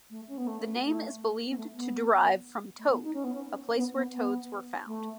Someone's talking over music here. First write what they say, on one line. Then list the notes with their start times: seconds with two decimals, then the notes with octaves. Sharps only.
The name is believed to derive from toad, a place where toads were found.
0.10 A3
0.27 C#4
0.37 B3
0.46 A3
0.83 A3
1.49 B3
1.57 A3
1.75 B3
2.78 A3
2.90 B3
3.02 D#4
3.13 C#4
3.23 B3
3.33 C#4
3.76 B3
3.94 B3
4.12 B3
4.86 A3